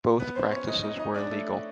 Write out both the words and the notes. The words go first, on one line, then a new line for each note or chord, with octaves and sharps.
Both practices were illegal.
B3 B4
C4 C5
C#4 C#5
D#4 D#5
D#4 D#5
D#4 D#5
D4 D5
A3 A4